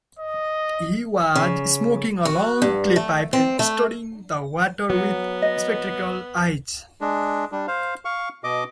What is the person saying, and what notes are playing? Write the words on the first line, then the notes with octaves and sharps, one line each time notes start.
He was smoking a long clay pipe and studying the water with spectacled eyes.
D#5
C#3
F#4
G2
A3
C4
A3
F#3 B3
D#5
G#3 D4
G3 D4
C5 F5
F5 C#6
B2 D#5 D6